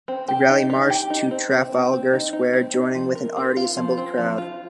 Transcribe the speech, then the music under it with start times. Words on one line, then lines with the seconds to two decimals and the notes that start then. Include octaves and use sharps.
The rally marched to Trafalgar Square, joining with an already assembled crowd.
0.08 C4
0.28 G4
0.50 D#4
0.70 D#4
0.90 G4
1.10 D#4
1.31 C4
1.51 C4
1.72 C4
1.93 C4
2.13 D#4
2.33 D#4
2.53 C4
2.74 D#4
2.95 F3
3.15 A#4
3.36 C4
3.57 F4
3.77 F3
3.98 C4
4.18 F3
4.38 F4